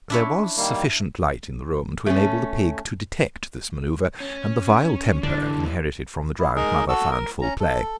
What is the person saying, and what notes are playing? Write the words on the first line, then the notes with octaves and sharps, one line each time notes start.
There was sufficient light in the room to enable the pig to detect this manœuvre, and the vile temper, inherited from the drowned mother, found full play.
D4 E4 C#5
D#3 G3 A#3
A3 C#4
C#4
D3 E3 G3 D4
E4
G#3 D#4 G#4 A#4
F#4 A4 E6
A#4
C#4 A#5
A4